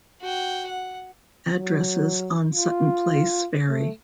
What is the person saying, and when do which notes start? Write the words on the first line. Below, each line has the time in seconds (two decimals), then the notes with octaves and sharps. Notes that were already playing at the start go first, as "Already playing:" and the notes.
Addresses on Sutton Place vary.
0.21 F#4 G5
0.67 F#5
1.54 F#3
2.53 F4
3.69 A3